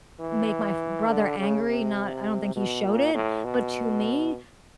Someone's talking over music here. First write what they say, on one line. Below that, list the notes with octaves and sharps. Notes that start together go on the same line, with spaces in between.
make my f brother angry, not I don't think he showed it, but to me,
E3
D3
C#3
C3
B2
A#2
A2
B2